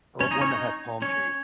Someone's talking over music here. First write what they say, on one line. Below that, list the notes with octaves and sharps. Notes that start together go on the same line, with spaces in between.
well, one that has palm trees,
C#4 C#5
D#4 D#5
C#4 C#5
D#4 D#5
C#4 C#5